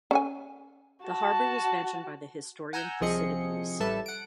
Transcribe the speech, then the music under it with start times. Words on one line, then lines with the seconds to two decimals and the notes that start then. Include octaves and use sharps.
The harbour was mentioned by the historian Thucydides.
0.11 C#4 A4 G#5
1.05 F#4 A5
2.73 F#5 G#5 A#5 E6 G6
3.01 C2 F3 C4 G#4 D#5 C#7
3.80 A1 G3 A4 B4 E5 A5
4.06 F#5 D7